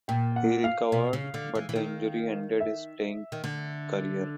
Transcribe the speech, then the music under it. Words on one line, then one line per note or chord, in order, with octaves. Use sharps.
He recovered, but the injury ended his playing career.
A#2 G5
F#5
F5
B2
C#3
D3
E3
E3
D#3
E5
D#3
D3